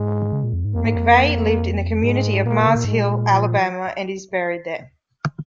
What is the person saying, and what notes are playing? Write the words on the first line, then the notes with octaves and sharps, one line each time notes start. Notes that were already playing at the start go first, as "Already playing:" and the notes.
McVay lived in the community of Mars Hill, Alabama and is buried there.
Already playing: G#2 G#3
C#3
A#2
F2
G#2
F2 A#3
G#2
F2
G#2 G#3
A#2 A#3
C#3
A#2
G#2 G#3
A#2
F3